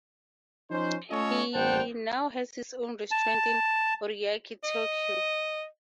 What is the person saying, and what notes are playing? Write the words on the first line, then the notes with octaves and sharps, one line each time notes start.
He now has his own restaurant in Ariake, Tokyo.
F3 C#4 D#4 C5
A3 C#4 F4 A4 C#5 D#5
A1 G3 C5 F#5 G5 A5
A5
D#5